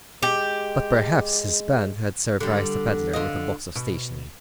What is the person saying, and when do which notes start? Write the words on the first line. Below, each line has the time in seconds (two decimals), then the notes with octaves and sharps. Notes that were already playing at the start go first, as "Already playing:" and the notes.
But perhaps his band had surprised a pedlar with a box of stationery.
0.23 G#3 G4
2.40 D3 G3
3.13 D3 F4 D#5
3.75 B2